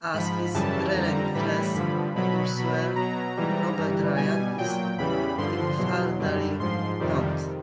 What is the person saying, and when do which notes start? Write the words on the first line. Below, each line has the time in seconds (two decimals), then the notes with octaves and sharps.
As his relentless pursuer, Robert Ryan is infernally taut.
0.14 G#2 F3 B5
0.54 F#2 C#3 E3 G3 A5
0.94 F2 D3 G3 A#5
1.35 A2 E3 G3 B5
1.75 G2 D3 F3
2.15 B2 F#3 B5
2.56 B2 F#3 B5
2.96 B2 F#3 A#5
3.37 G#2 E3 G3
3.77 G2 E3 G3
4.17 B2 G3 G#5
4.57 A#2 F#3 G5
4.98 E2 C#3 E3 G3 B5
5.38 G2 D3 F3 C6
5.78 E2 B2 F#3
6.19 F#2 D3 G3
6.60 G#2 F3 C6
7.00 F2 C3 D#3 G3